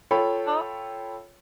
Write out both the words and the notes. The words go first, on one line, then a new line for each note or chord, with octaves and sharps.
Uh, oh uh,
F4 A4 C#5 G5 B5